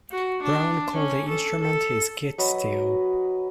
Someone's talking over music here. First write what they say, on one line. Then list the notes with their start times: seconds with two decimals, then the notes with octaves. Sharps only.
Brown called the instrument his "guit-steel".
0.11 F#4
0.43 D4
0.94 C#4
1.29 A4
1.62 A4
2.38 F#3 B4 D#5